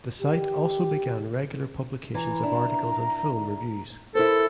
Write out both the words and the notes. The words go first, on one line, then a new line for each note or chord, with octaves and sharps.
The site also began regular publications of articles and film reviews.
G4
E3 A#5
D4 E4
E4 A4 A#4 C5